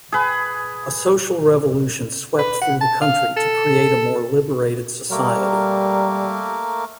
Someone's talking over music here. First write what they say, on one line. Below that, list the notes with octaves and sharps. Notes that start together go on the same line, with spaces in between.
A social revolution swept through the country to create a more liberated society.
G#4 B4
B4
F#5
A5
F5
A4
G3 A3 A#3 A#4